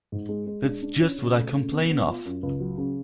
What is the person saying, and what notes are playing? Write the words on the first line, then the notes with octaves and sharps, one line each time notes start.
That’s just what I complain of!
G#2
G#3
G#3
D4
D4
C#4
C#3
A3
C#3
B3
B3
F4
F#2
C#2
F#3
C#3